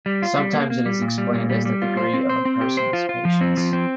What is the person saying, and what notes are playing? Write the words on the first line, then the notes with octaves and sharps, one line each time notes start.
Sometimes it is explained as the degree of a person's patience.
G3
F4
G3
A#3
A#3
G3
A#2
G3
A#2
G3
G3
F4
C5
C4
C5
C4
G4
C5
F4
F4
F3
C4
F3
C4